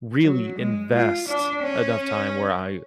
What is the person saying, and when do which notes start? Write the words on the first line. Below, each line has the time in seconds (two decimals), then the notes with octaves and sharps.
really invest enough time where I
0.24 F#3
0.59 G#3
0.94 F4
1.28 D4
1.63 C#4